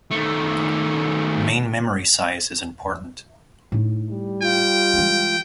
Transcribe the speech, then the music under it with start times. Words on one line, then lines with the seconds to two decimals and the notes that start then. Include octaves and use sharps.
Main memory size is important.
0.11 D#3 A3
3.72 A2 D#4
4.12 G3
4.42 F4 G5
4.94 E3 G#3